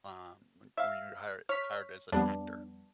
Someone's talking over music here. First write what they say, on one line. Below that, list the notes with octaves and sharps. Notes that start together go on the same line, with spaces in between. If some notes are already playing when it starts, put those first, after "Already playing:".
um, when when you were hired hired as an actor?
E5 F5
C#5 F6 B6
F2 G3 B3 D4